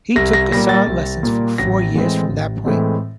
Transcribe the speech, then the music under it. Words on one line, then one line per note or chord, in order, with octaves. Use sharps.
He took guitar lessons for four years from that point.
C2 A#6
A#6
A#2 G3 A#3 A#6
A6
C2
A#2 G3 A#3
A1 A#6
A2 E3 G#3 C4
A1
A2 E3 G#3 C4